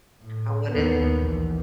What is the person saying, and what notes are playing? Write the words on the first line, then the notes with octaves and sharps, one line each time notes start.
I wanted
A2
D#2 B3
A#1 E2